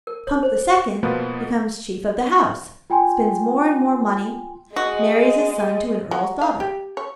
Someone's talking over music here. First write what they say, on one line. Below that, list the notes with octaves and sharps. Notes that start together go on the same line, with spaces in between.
Pump the Second becomes chief of the house, spins more and more money, marries his son to an Earl's daughter.
A#4
C#5
C5
G#4
B2 F3 A#3 B3 F4 B4
F4 G5 G#5 C6
G#3 F#4 D#5
F#3
F5
G4
C#5